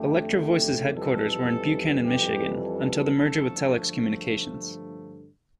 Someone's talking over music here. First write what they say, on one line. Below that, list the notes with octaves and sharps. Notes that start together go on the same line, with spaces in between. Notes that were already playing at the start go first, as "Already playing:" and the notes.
Electro-Voice's headquarters were in Buchanan, Michigan until the merger with Telex Communications.
Already playing: F2 D3 A3 G4
G4
F2 E3 G3 A4
G4
A4
G2 D3 F3 A3